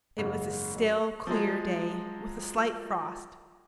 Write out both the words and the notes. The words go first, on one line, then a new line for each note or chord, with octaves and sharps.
It was a still, clear day, with a slight frost.
F#1 G#2 C#3
F#1 F#3
F3 F#3 G#3